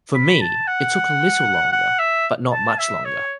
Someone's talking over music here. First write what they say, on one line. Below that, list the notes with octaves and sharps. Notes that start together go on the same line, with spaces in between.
For me, it took a little longer, but not much longer.
B5
A5
F#5
F#5
E5
A5
E5
C#5